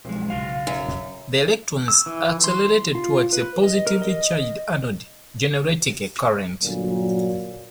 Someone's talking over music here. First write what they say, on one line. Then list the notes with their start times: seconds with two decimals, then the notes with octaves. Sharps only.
The electrons are accelerated towards a positively charged anode, generating a current.
0.05 B1 F2 G#3
0.30 A#1 C#3 F#4 F5
0.67 F#2
1.88 E6
2.06 E3
2.44 C6
2.95 F4
3.33 B4
3.64 D#5
3.87 A#4
4.02 D#5
6.62 G1 A#2 F#3